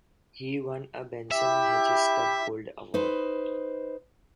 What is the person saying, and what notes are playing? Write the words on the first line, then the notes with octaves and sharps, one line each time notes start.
He won a Benson and Hedges Cup Gold Award.
E4 G4 E5
D#4 B4 C5